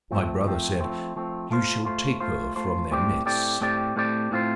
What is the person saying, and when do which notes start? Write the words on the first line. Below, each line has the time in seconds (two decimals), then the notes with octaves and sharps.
My brother said, 'You shall take her from their midst.
0.11 F3 A3 C4
0.46 F3 A3 C4
0.81 F3 A3 C4
1.16 F3 A3 C4
1.51 A3 F4 C5
1.85 A3 F4 C5
2.20 A3 F4 C5
2.56 A3 F4 C5
2.91 A2 A3 C4 G4 D5
3.26 A2 A3 C4 G4 D5
3.61 A2 A3 C4 G4 D5
3.96 A2 A3 C4 G4 D5
4.31 A2 A3 C4 F4 C5